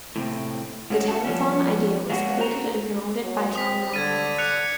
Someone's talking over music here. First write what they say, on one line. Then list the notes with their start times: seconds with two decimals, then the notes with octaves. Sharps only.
The telethon idea was created and promoted by John Y.
0.16 A2 C3 C4
0.90 G#2 G#3 C#4 F#4
1.08 F#4 A4
1.24 F3 G3 B3 C#4
2.10 G#3 A#3 B3 C#4 D4 F#4
2.38 F#4 C5 A#5
3.23 F#3
3.56 C4 D#6 B6
3.94 D3 G#6 A6 D#7
4.38 F#6 C#7 F7